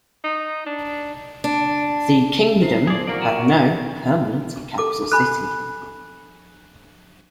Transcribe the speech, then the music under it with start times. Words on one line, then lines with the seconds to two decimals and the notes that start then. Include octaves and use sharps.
The kingdom had no permanent capital city.
0.24 D#4
0.66 D4
1.44 D4
2.62 E4 C5 C7
2.87 F3 G#4 D5
3.07 A#3 F#4 A#4 D5
3.22 A#2 D#7 E7
4.78 A4 D6
5.12 A4 G#5 B5 F#6